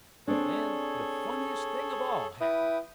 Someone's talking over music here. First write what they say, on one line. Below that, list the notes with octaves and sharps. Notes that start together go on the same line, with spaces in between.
Then the funniest thing of all happened.
C4 D4 G#4 A4 C#5
E4 B4 G5 D#6